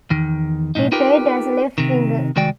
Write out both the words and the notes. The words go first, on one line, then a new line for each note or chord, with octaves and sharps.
He played as a left winger.
E2 D#3
B1 F2 A2 D#4
D#4 F4 G4 A#4 B4
C3 D#3
C2 D#3 G#3 F#4 D5 G5